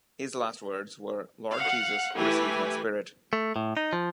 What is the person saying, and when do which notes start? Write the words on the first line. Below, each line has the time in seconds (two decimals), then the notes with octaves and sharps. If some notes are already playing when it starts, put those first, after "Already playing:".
His last words were "Lord Jesus, receive my spirit".
1.56 F5 F#5
2.15 E3 A3 E4 G4 B4 G#5
3.33 A3
3.56 A2
3.77 D#4
3.93 F3